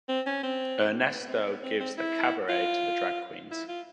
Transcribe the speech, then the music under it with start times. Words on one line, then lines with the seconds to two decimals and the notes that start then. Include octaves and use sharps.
Ernesto gives the cabaret to the drag queens.
0.09 C4
0.26 C#4
0.43 C4
1.12 B3
1.29 C4
1.46 B3
1.63 C4
1.80 C4
1.98 E4
2.49 F4
3.51 E4
3.68 F4